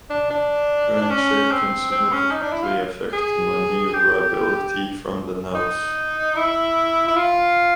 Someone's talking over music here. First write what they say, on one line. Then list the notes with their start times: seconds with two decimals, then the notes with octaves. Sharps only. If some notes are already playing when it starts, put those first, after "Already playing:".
Rail shape can significantly affect the maneuverability from the nose.
0.10 D4
0.30 D4
1.02 D4
1.11 C#4
1.52 C4
1.92 C4
2.12 C#4
2.32 D#4
2.42 D4
2.52 E4
2.63 F4
3.13 G#4
3.94 G4
5.55 D#4
6.36 E4
7.08 E4
7.16 F4